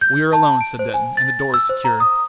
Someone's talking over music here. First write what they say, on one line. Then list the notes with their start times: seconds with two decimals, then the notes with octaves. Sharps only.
"We are alone," said Denton, "and the door is secure."
0.01 G6
0.33 A5
0.61 D7
0.79 C5
0.94 G#5
1.17 A6
1.54 E6
1.69 C5
1.85 A#5
2.00 D#6